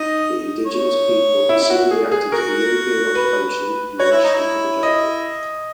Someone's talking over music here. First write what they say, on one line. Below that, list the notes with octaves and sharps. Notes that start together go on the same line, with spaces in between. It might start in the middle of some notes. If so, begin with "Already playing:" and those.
The indigenous people soon reacted to the European occupation, and rushed into the jungle.
Already playing: D#4 D#5
C#5
E4
E4
F#4
G#4
G#4
F#4 A#4
B4
F#4 C#5
E4
D#4
E4
D#5